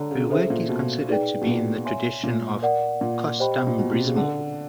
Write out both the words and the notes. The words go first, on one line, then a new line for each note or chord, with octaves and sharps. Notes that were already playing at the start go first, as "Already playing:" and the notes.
Her work is considered to be in the tradition of "costumbrismo".
Already playing: D3 C#5 F#5 A#5
C#3
C#3 A4 C5 E5
A#2
B2
D#4 G#4 B4 D5 G5
B2
A#2
C#5 E5 G#5 C6
A#2
A#4 D5 F#5
A#2
G4 C5 D#5 G5 B5
A#2
B2
C3
C#3
D3 A4 D5 F#5